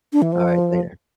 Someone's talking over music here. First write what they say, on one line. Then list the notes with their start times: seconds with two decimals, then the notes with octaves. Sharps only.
Alright, later.
0.13 D4
0.22 E3
0.32 F3